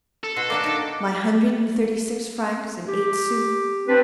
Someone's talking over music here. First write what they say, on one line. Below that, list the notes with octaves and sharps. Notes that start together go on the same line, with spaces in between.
My hundred and thirty-six francs and eight sous.
A4
B2 F#4 C6
A#3 D4 F#4 D6
D#4 A5
G4
C4 D4 B4